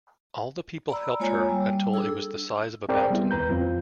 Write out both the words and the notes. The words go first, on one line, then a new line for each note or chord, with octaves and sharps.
All the people helped her until it was the size of a mountain.
D5 A#5 B5 E6
G#3 A#3 F4 C#5 G#5 A#5
G3
D4 G#4 A4 E6
C4 G#4 A#4 C5 D5 G5
G3 B3 E4
D#2 B4 A#5 G6
F2 F3 C4 F4